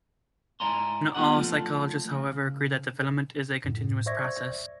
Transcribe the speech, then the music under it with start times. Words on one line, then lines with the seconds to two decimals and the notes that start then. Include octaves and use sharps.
Not all psychologists, however, agree that development is a continuous process.
0.60 G#2 E4 D5 G#5 A#5 C6
1.15 B3 F4 G4 D#5 F#5
1.34 F3 A3 F4
2.11 C#3
3.65 F#2 A2
4.06 C5 D5 E5 C#6 G#6 A#6